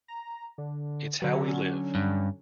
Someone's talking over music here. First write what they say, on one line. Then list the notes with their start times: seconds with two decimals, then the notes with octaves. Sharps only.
It’s how we live.
0.08 A#5
0.58 D3
1.22 D3 F#3 B4
1.47 C#4
1.95 G2